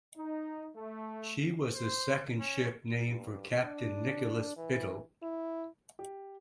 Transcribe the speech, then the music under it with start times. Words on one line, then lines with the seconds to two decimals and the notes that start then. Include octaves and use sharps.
She was the second ship named for Captain Nicholas Biddle.
0.17 D#4
0.77 A3
1.75 C5
2.40 C#4
3.04 G2
3.64 D4
4.57 E3
5.23 E4
5.99 G4